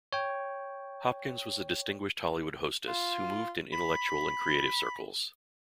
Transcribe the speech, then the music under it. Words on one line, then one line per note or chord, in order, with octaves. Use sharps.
Hopkins was a distinguished Hollywood hostess, who moved in intellectual and creative circles.
C#5 G5
F4
B5